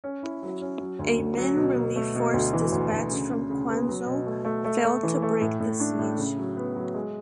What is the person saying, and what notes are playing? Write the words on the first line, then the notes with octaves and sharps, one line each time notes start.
A Min relief force dispatched from Quanzhou failed to break the siege.
C#4
E4
F#3
C#4
F#3
D2
D2
F#3
B2
B2
A3
B2
D2
E3
D2
D2
C#3
C#3
C#3
B3
F#3
B2
A3
A3
A3
A3
E3
A3
A2
A2
D4
A2
C#3
F#3
B3
F#3
G#3